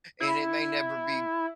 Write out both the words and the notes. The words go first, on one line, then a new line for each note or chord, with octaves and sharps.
and it may never be, m
E4